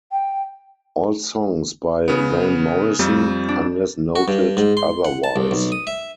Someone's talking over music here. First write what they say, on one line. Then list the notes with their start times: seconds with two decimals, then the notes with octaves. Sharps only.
All songs by Van Morrison, unless noted otherwise.
0.12 G5
2.08 C#3 B3
2.99 F2 G3
3.48 D4
4.16 F#4
4.28 G2
4.57 G#2
4.77 C6
5.05 F#5
5.24 A5
5.36 C2
5.51 B1
5.72 D#6
5.87 E5